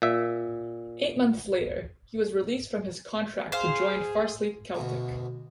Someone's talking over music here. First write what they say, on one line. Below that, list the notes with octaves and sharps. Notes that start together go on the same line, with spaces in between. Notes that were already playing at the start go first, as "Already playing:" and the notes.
Eight months later, he was released from his contract to join Farsley Celtic.
A#2 E5
G#4 C5 F5
D2 B2